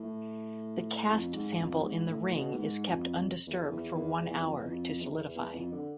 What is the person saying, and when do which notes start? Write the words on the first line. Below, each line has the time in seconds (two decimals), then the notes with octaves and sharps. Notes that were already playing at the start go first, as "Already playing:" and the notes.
The cast sample in the ring is kept undisturbed for one hour to solidify.
Already playing: A2
1.11 F2
1.34 G#2
1.59 F2
1.82 G#2
2.05 A2
2.30 B2
2.53 G#2
2.88 F2
3.47 E2
3.71 E2
3.95 E2
4.30 E2
4.41 F2
4.52 E2
4.65 F2
5.00 E2
5.36 E2
5.54 F2
5.72 D3